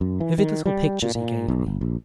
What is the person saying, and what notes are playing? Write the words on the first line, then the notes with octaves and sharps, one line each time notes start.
Vivid little pictures he gave me.
F#2
E3
D#3
G3
A#2
A#2
B1
G1
A#1